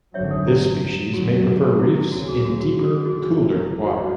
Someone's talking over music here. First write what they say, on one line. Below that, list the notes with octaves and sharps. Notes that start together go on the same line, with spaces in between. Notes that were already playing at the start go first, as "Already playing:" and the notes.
This species may prefer reefs in deeper cooler water.
G#1 F#2 D3 F#3 C#5 E5
A4 C#5
E4
F#2 D3 F#3 F#4
F#4
E4
E4
D2 C#3 F#3 F#4
G#4
F#4
F#4
A4
G#4
F#4
F#1 F#2 C#3 G#4
E4
F#4